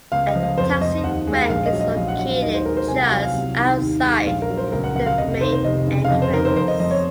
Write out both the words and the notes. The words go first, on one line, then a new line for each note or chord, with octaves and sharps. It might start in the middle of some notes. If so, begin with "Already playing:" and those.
A taxi rank is located just outside the main entrance.
C#2 F5
D#5
F3
F5
F2 C5
F3 D#5
D#2 F#5
G#3
F5
A#1 F5
D#5
F#3
D#5
A#1 F5
F#5
F#3 F#5
F5
D#2 D#5
C5
G#3 A#4
C5
C2 G#5
F#5
F#3 F5
F5
C2
D#3
D#2
G#3
A#1 F5
A#4
F#3
C5
C#2 A#4
F#5
F3 F#5
F5
F1 D#5
D#3 C5
C5
F1 D#5
C#3
F5
F2 D#5
C5
D#3 A#4
C5
F2 C5
D#5
F3 D#5
C#5